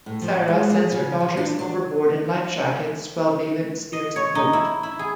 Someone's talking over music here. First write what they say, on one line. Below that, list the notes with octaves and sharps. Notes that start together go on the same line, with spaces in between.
Sarah sends her daughters overboard in life jackets while David steers the boat.
A2
F3
G#3
G#4
C#3
E3
D4
D4
D#5
C#5
D#4
E4
E4
G#4